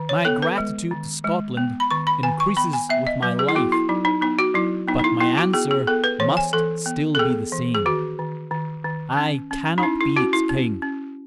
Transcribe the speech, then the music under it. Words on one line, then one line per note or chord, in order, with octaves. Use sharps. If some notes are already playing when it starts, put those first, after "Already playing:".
"My gratitude to Scotland increases with my life; but my answer must still be the same--I cannot be its king."
Already playing: D#3
C#5
B3 A4
B4
G#3
D#3
G#3
B3
B5
D#3 C#6
B5
D#3 G#5
C#6
B3 B5
G#5
B3 E5
D#5
F#3 B4
G#4
E4
B3 F#4
E4
F#3 D#4
D#4
B3 D#4
F#4
F#3 E4
B3 D#4
D#4
E4
B3 E4
F#4
B3 G#4
G#4
B3 A4
B4
E3 C#5
G#5
E3 A4
B3
A4
B3 G#4
E3
G#4
D#3 F#4
D#3
D#3
D#3
C#4
C#4
D#4
C#4 E4
E4
C#4 F#4
E4
C#4
C#4